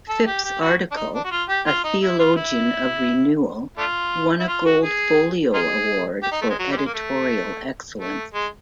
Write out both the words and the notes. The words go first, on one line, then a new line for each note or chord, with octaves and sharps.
Phipps' article, "A Theologian of Renewal", won a Gold Folio award for editorial excellence.
A4
G4
G4
F#4
D4
D#4
D4
F#4
F4
G4
F4
D#4
E4
F4
E4
A3 D4 F4
E4
F4
F#4
G#4
D#4 F4 G#4
G4
D#4
A3
G#3
F#3
G3
G#3
A#3
A3
A3
G#3